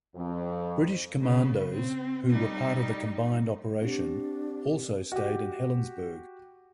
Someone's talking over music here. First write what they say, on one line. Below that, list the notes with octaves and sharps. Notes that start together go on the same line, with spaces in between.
British commandos who were part of the combined operation also stayed in Helensburgh.
F2
C#3 B3
C4
G3 D#4
C4 D4 G4
F#4 G4